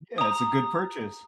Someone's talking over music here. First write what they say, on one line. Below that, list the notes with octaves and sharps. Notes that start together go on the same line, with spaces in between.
Yeah, it's a good purchase.
A#5 D#6